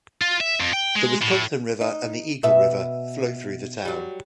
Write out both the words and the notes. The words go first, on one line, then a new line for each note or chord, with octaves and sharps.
The Wisconsin River and the Eagle River flow through the town.
F4
E5
F2
G5
G#3
A2
D#4
B2 B4 E5
F#3 G3